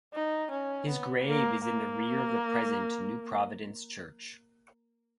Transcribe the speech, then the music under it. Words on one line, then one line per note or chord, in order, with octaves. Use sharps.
His grave is in the rear of the present New Providence Church.
D#4
C#4
B3
A#3
A#3